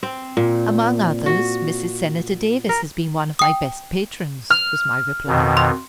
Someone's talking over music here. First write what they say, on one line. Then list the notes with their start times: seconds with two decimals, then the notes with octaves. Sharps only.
"Among others, Mrs. Senator Davis has been one of my best patrons," was my reply.
0.03 C4
0.37 A#2
1.26 F#4
2.69 A#4
3.39 G5 D#6
4.50 F6
5.28 F2 B2 D#3
5.57 C6